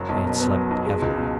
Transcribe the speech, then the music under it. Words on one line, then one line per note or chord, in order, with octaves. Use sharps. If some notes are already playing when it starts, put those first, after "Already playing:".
I had slept heavily.
Already playing: F#1 F#3
B1
B2
B3
F#3
B1
G#3
C#2
B2